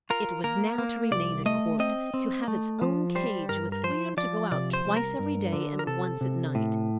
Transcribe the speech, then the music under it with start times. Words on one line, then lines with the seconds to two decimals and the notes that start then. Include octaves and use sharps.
It was now to remain at court, to have its own cage, with freedom to go out twice every day and once at night.
0.10 F4 A#4
0.44 A#3 A#4
0.78 A#3
1.11 C2 D5
1.46 A3 D#5
1.80 C4 D#5
2.14 C4
2.48 A3
2.82 F3
3.15 G3 C5
3.49 G2 A#4
3.72 A#4
3.84 F3 C5
4.17 F3 D5
4.51 C3 D5
4.73 C5
4.85 C2
4.97 A#4
5.19 G2
5.53 D3
5.79 A#4
5.87 C3 A4
6.21 C3
6.55 A2